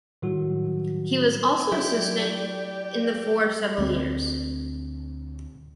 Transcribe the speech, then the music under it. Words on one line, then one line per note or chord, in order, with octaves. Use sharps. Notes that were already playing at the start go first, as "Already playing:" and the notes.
He was also assistant in the for several years.
A2 D#3 F#3 G3 E4 F#4
F#3 E4 G4 D5
D2 A3 C4